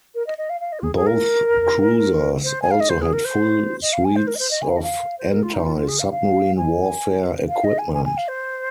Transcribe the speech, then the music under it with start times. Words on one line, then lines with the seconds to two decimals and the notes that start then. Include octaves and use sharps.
Both cruisers also had full suites of anti-submarine warfare equipment.
0.15 A#4
0.27 D#5
0.38 D#5
0.50 F5
0.61 F5
0.72 D#5
0.79 F4
0.83 G#4
0.96 G#4
1.07 A#4
2.44 C5
2.62 G#5
2.71 F5
2.80 D#5
2.89 C5
3.02 G#4
3.13 A#4
3.25 C5
3.82 D#5
3.93 F5
4.05 G#5
4.16 C5
4.27 A#4
4.35 D#5
4.39 C5
4.51 D#5
4.62 G#5
4.69 F5
4.77 D#5
4.83 F5
5.19 C5
5.31 A#4
5.43 F4
5.53 D#4
5.65 F4
5.77 F4
5.88 G#4
5.99 F5
6.11 F5
6.57 G#5
7.49 F5
7.64 D#5
7.78 G#5
7.94 G#5
8.05 G#5
8.17 F5
8.28 C5